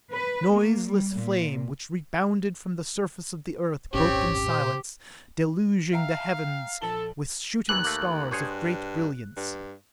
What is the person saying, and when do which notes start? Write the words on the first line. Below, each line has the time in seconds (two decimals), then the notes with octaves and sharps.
Noiseless flame which rebounded from the surface of the Earth broke in silence, deluging the heavens with shooting stars of great brilliance.
0.11 B4
0.54 A#3
0.86 G3
1.15 A#2
3.93 D#1 G#1 C4 C#4 G4 C#5
4.48 A#2 C5
5.93 E5 F5 G5 A#5
6.82 A#1 A4 F#7 G7
7.69 D#2 E3 F#6
7.85 A3 A#3
8.31 G2 G#4 C5 C#5
9.37 G2